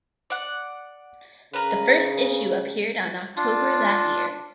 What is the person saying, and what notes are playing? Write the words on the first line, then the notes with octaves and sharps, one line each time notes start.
The first issue appeared on October that year.
D5 F#5
C#3 A#4 B4
D4 F4